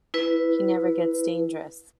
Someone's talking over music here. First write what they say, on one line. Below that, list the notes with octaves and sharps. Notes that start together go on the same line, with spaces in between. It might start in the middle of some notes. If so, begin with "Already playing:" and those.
He never gets dangerous.
E4 B4